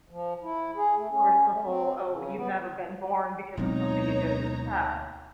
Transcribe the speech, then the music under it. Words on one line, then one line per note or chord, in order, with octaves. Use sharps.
course, the whole, "Oh, you've never been born because of something you did in the past,"
F3
E4
G#4
A3
C#4
A3
C4
C#3
B3
D2 B2 F#3 G#3 C4 D#4 C#5 A#5